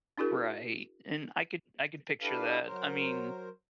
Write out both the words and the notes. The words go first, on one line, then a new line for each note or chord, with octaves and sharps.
Right, and I could I could picture that. I mean,
D4 E4 F#4 G#4 A#4
D4 E4 G4 A4 B4 F5
F#3 A#4 C5